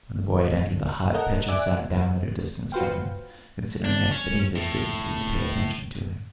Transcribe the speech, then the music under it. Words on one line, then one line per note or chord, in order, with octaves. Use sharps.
When the boy had entered the hut, Petya sat down at a distance from him, considering it beneath his dignity to pay attention to him.
D#3
A2 E3
C2 G2 D3 F3
A4 A#4 D#5 F#5
D5 E5 G#5 D6 F#6
E2
F4 F#4 B4 C5 F5 G5
D4
C#4
A2